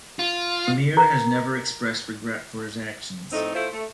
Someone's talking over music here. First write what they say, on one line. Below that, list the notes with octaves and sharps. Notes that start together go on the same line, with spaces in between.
Amir has never expressed regret for his actions.
F4
A#4 A#5
F2 A2 C4 D#4
A3 E4 F4 C5
A3